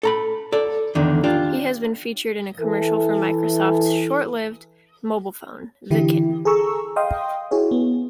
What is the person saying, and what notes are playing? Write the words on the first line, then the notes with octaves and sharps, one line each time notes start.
He has been featured in a commercial for Microsoft's short-lived mobile phone, the Kin.
A4 A#5 B5
A4 D5
E2 D3 D#3
D4 F4 G4
E3 A4
D3 E3 E4 G4
G#4 A4 A#5 C#6 E6
D#5 F5 G5 C6 D#6
E4 F#4 G#4 C#5
B3